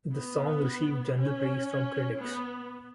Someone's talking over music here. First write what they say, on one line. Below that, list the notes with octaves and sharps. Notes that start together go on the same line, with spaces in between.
The song received general praise from critics.
B3
C#4
B3